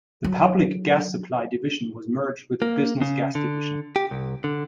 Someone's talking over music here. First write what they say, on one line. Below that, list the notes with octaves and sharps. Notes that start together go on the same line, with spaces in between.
The Public Gas Supply division was merged with the Business Gas division.
F#3
A#3
C#3
D3
G4
C2
D3